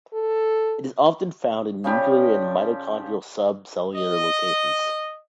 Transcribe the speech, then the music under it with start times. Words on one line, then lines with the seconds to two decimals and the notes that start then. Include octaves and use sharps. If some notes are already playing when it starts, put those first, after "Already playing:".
It is often found in nuclear and mitochondrial sub cellular locations.
0.13 A4
1.84 C#3 F3 G3 G4
3.95 D#5